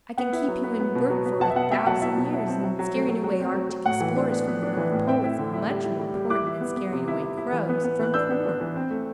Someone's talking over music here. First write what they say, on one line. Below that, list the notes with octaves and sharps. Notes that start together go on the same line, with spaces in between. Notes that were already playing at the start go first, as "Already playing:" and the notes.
I can keep you in work for a thousand years, and scaring away Arctic Explorers from the North Pole is much more important than scaring away crows from corn.
B3 F#5
E4
F#3
B3
B3
B2
F#3
B3
B2 F#5 A5
E5
B2 F#5
B2 E5 G5
F#3 F#5 A5
E4 E5
B2
E4
C4
F#3 E5
F#3
A3
F#3
F#3
C4
F#3
F#3
A2 F#5
E3
D4
B3
B3
D4
E3
A2
C4 E5 G5
E4
D3
E4
G3
E4
G3
G3
E4 D6 F#6
E4
B3
B3
C3
E4
E4
E4
E3
B3
B3
E3 F#6
D4 E6 G6
B3
D4
E3
C4
A3